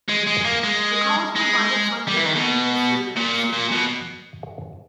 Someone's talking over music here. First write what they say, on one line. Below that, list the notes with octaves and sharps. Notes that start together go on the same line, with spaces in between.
The college provided funding and administrative support.
G#3
G#3
A#3
G#3
G#3
G3
E3
D#3
B2
A#2
A#2
B2